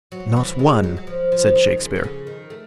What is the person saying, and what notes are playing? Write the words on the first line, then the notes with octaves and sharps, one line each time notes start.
"Not one," said Shakespeare.
F#3
E3
G#3
F#3
F#3
F3
F3
D#3
C#3
D3
C#3
D#3
A3